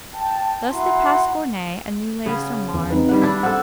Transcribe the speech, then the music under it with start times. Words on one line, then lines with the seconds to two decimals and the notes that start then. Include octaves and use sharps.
Thus they passed Gournay and Neuilly-sur-Marne.
0.14 G5 A5
0.71 E4 F#4 F#5 A#5 C6
2.26 C#3 B3 C#4
2.74 E2 E3
2.91 C4 D#4 B4
3.09 D#3 G3 F#5
3.21 D4 E4
3.43 C4 A4 F#5 E6